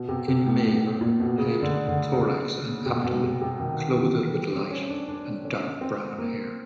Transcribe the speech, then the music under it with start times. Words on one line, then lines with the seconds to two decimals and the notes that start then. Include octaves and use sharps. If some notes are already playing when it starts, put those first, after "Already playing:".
In male, head, thorax and abdomen clothed with light and dark brown hair.
Already playing: B2
0.09 C3
0.28 C3
0.46 A2
0.65 A2
1.01 A#2
1.20 B2
1.38 C#3
1.62 D3
1.88 D3
2.13 C#3
2.86 C3
3.04 B2
3.24 C3
3.41 C3
3.60 D#3
3.96 E3
4.34 G3
4.53 C4
4.71 C#4
4.89 D4
5.08 D4
5.45 C#4
5.81 C4
6.18 A#3